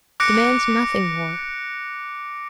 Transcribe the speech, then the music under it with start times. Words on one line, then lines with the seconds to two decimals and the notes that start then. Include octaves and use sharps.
Demand nothing more.
0.20 D6 F#6 A#6 C#7 D7